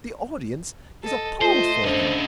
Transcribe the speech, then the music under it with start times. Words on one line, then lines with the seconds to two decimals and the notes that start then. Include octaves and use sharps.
The audience is appalled for him.
1.04 A4 D#5
1.41 A3 F4 C5 D#5
1.85 C#3 D4 C5